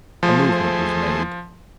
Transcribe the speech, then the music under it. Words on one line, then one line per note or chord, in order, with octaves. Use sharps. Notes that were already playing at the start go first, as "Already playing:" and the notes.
A movement was made.
F3 A3 G#4 C5